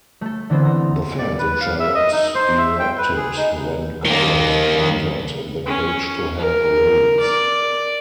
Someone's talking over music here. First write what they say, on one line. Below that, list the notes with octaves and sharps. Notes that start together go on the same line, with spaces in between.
The fans in Charlotte erupted when Koloff entered the cage to help Rhodes.
A3 A4
D3 E3 B3 C4
A#5
D5
B4
F5
E5
D#5
D#4
C5
E5
G5
B4
G#4
D#4
D#3 A#3
C#4
A#4
D5